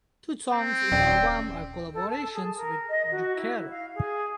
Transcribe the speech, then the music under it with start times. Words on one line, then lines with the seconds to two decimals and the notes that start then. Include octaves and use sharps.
Two songs in the album are collaborations with Zucchero.
0.52 C4
0.92 D#1 C#4 D5 G5
1.93 A4
2.09 A5
2.34 G#4
2.56 A#4
2.89 D#5
3.11 F#4
3.35 E4
3.70 F5
3.95 G#4